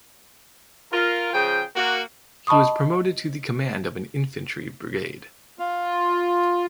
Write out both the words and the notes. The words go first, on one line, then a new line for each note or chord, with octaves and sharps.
He was promoted to the command of an infantry brigade.
F4 A#4
C#3 F3 G#4 G5
A#3 F#4
D#5 A5 B5 C#6 D#6
F4